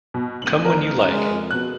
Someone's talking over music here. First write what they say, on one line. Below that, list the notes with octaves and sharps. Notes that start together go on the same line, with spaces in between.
Come when you like.
B2
D1 D#7 F#7
A#4
C#3 G#3
F2
B2 F#6